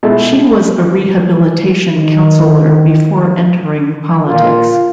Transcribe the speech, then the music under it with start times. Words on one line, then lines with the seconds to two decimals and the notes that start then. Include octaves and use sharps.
She was a rehabilitation counsellor before entering politics.
0.03 B2 G#3 A3 E4 A4 A5
1.95 D#3
4.27 A#2 F4